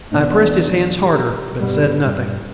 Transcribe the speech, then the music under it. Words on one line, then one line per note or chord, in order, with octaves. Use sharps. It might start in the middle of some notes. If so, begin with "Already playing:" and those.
I pressed his hands harder, but said nothing.
E2 B2 D4 D#4
G4 A#4
G2 B2 G3
G2